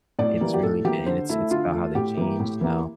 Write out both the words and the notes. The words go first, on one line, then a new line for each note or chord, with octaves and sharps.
it's really and it's it's about how they change now,
A2 D5
E3 G3 A#3
G4
A2 A4
E3 G3 A#3 G4
D3 C5
A3 E4
D3 F4
A3
A2 G4
E3 A#3
A2
E3 A#3